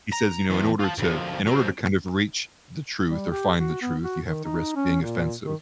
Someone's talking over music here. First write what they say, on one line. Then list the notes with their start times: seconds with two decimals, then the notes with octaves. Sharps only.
he says, "You know, in order to in order to kind of reach the truth or find the truth, you have to risk being offensive,"
0.13 A#5
0.50 E3 B3
0.80 F4 A5
0.99 D2 F3
1.46 F#3 C4
3.07 G3
3.32 G4
3.59 F#4
3.82 B3
4.04 F#4
4.25 D#3
4.44 D#4
4.76 C#4
5.01 A#2
5.46 D#3